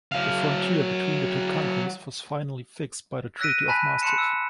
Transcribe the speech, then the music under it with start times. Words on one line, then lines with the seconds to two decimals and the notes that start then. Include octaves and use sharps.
The frontier between the two countries was finally fixed by the Treaty of Maastricht.
0.12 F#3 F5
3.40 E6 F#6 A#6 B6 D7 D#7
3.68 G#5 A5 B5 F#6 B6
4.02 A5 B5 C6 F#6 C#7 E7
4.18 E6